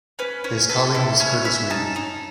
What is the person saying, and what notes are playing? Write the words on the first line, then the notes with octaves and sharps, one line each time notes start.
His colleague was Curtis Reid.
C#4 B4
C#4 C#5
A4 B4
E4 A4
C#4 C#5
C#4 E5
D#4 A5
D#4